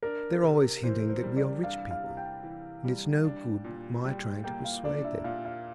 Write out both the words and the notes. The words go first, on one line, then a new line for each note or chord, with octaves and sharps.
They're always hinting that we are rich people, and it's no good my trying to persuade them.
D4 A#4
C3
E3 C5
C5
G3
D5
D4 F5
F5
C3
G5
E3
G3
D4
A#2
G3 G5
A#3 G5
F5
D4 D5
E5
A#2 F5
F5